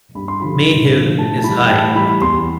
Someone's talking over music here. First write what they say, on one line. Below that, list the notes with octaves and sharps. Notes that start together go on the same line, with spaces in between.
May Hill is high.
G2 B5
C6
D3 F3 B5
G2
D3 F3
A2 A5
A5
E3 G3 B5
G5
A2 A5
B5
E3 G3 B5
E2 C6